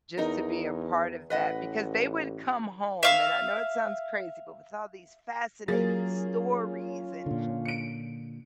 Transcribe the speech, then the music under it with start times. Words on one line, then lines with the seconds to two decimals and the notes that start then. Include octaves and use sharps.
Just to be a part of that because they would come home- and I know it sounds crazy- but with all these fascinating stories, and
0.18 E2 D#4 A#4
1.30 A1 B4 D#5 F#5
3.03 E5 F5 E6
5.68 F#3 A#3 C#4 F4 G#4 A6
7.26 A#2 D3
7.65 C#7 D7